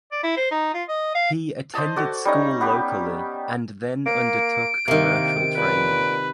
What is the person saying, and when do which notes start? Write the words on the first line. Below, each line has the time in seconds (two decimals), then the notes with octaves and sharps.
He attended school locally and then undertook commercial training.
0.12 D5
0.23 E4
0.37 C5
0.51 D#4
0.74 F4
0.88 D#5
1.15 F5
1.74 C5 D5 D#5 A5
1.96 F#4 A4 D5
2.25 G3 C#4 D#4 A#5
2.61 B3 G4
4.06 A#3 D7
4.88 C3 D#3 A#3
5.57 A#2 B4